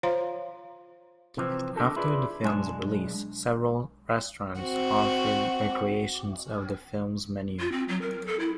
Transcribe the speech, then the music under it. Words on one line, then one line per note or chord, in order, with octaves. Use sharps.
After the film's release, several restaurants offered recreations of the film's menu.
F4 C5 C#5 F5 A#5 C6
C3 E3 F3 C4
D4 G4 A4 A#4
E4 F4 G#4 B4 D5
B1 G#3 D4 G#5 A5
C4 F#4
F4
C4
F#3
A#4
A4
E4